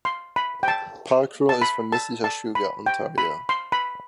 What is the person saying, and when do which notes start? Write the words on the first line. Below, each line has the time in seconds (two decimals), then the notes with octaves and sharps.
Pakrul is from Mississauga, Ontario.
0.05 C6
0.36 B5
0.63 G5
0.68 A5
1.49 A5
1.62 B5
1.92 A5
2.24 A5
2.55 B5
2.86 G5
3.18 B5
3.49 C6
3.72 B5